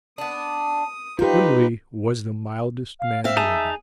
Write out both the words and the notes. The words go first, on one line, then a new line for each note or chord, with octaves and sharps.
Wimley was the mildest man living.
B3 D4 D#6
D#4 F4 G4 B4 C5
F5
C4 E5 F5
D#4 G#4 A5